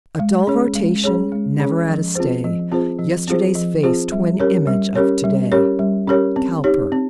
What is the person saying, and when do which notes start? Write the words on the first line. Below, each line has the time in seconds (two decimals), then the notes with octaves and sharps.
'A dull rotation, never at a stay, Yesterday's face twin image of to-day.' COWPER.
0.19 G#3
0.47 C#4 G#4 C#5
0.75 G#3
1.04 C#4 G#4 C#5
1.32 G#3
1.60 C#4 G#4 C#5
1.88 F3
2.15 C4 F4 G#4 C5
2.44 F3
2.71 C4 F4 G#4 C5
2.99 F3
3.28 C4 F4 G#4 C5
3.55 F3
3.83 C4 F4 G#4 C5
4.12 G3
4.40 C#4 G4 A#4 C#5
4.67 G3
4.95 C#4 G4 A#4 C#5
5.24 G3
5.52 C#4 G4 A#4 C#5
5.79 G3
6.08 C#4 G4 A#4 C#5
6.36 C4
6.64 D#4 G4 C#5
6.92 C4